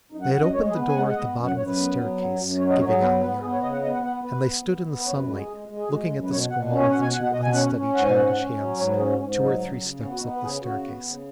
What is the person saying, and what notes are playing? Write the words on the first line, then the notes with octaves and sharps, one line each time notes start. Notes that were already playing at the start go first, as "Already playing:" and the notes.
They had opened the door at the bottom of the staircase giving on the yard, and they stood in the sunlight, looking at the scrawl of the two unsteady childish hands two or three steps up the staircase.
F#2 D#4
F#5
F#2 F#5
D#5
G#3 C#5
G#4
B3 B4
G#5
G#3 F#5
F#5
B3 D#5
F#2
F#5
F#2 C#5
B4
B3
F#3
F#2
F#2
F#3 C#5
D#5
F#3 C#5
G#4
B3 B4
B3 B4
B3 G#4
C#5
C#3 D#5
F#5
B3 D#5
F#5
B3 F#5
B3 B4
B3
B3
B3
B4
F#2 C#5
B4
G#3 F#4 B4
G#4
G#3
G#3
G#4
G#3 F#4
F#2
B4
B2 C#5
B2 F#5
C#4
C#5
B2 F#5
G#5
B2 F#5
F#5
B2 D#5
G#5
C#4 F#5
C#4
G#2 F#5
G#5
C#4 F#5
F#5
C#4
F#3
G#2 C#5
B4
C#4 G#4
F#4
G#2 C#4
F#3 D#4
C#3
C#3
B3 C#4
F#4
B3 D#4
B4
C#3 G#4
C#3 F#4
B3
C#3